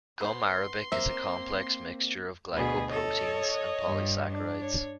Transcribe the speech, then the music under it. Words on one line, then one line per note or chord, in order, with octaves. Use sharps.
Gum arabic is a complex mixture of glycoproteins and polysaccharides.
B3 C5 C6
A#3 C4 E5
D2 B2 G#4 B4
A4 C#5 D#5
G2
D4
C#5